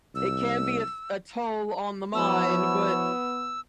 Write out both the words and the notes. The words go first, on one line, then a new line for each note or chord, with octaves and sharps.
it can be a f a toll on the mind, but
C2 E6
F3 B3 E4 F#4 C#5 E6